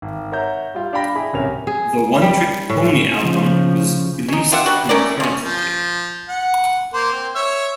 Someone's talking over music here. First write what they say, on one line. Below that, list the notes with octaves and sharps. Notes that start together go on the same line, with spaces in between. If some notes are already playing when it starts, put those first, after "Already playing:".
The "One-Trick Pony" album was released concurrently.
G#1
A#4 C#5 E5 F#5 A#5 G6
G3 F4
D4 F5 G5 B5 A#6
E4 G#4 G#5 B5
D1 C2 C3 C#4 A#4 F7
G#4
G3
A2
C#3 F3
C#4 D#4
F4 G4 E5 F#5
G3 D4 F#4
A3 C#4 A#4 D5
F3 C#4
F3
F#5
A#3 C5
C4
C#5 E5